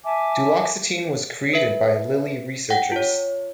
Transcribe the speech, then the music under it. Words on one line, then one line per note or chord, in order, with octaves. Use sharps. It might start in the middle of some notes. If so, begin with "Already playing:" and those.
Duloxetine was created by Lilly researchers.
E5 G#5 A5 D6
B4 E5
F#5 G5 A#6
F4 C#5